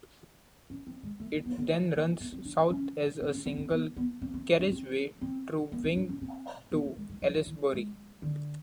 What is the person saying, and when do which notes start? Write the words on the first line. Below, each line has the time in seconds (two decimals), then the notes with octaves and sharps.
It then runs south as a single carriageway through Wing to Aylesbury.
0.70 C#4
0.87 C4
1.03 G#3
1.20 A3
1.33 A#3
1.46 B3
1.58 B3
1.70 A3
1.96 A#3
2.21 B3
2.32 C4
2.45 D4
2.58 C#4
2.70 C#4
3.21 C4
3.34 C#4
3.46 C4
3.58 C4
3.71 B3
3.96 B3
4.22 C4
4.34 C4
4.59 D4
4.71 C4
5.21 C4
5.72 A#3
5.84 C4
5.97 D4
6.09 C#4
6.21 C4
6.72 B3
6.85 A3
6.97 G#3
7.10 G#3
7.22 F#3
7.35 F3
7.47 E3
7.73 G#3
8.22 D3